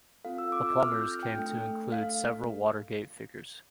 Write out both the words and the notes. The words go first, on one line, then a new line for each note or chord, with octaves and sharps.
The Plumbers came to include several Watergate figures.
C4 F4 A4 F5
E6
D6
E6
F6
G6
F6
G5
A3 D4 A4
F5